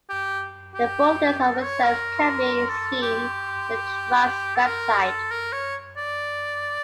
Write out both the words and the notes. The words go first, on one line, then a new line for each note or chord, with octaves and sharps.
The full list of reserves can be seen at the Trust's Website.
G4
G4
A4
C#5
A#4
A4
G4
A4
A#4
A4
A#4
C#5
D5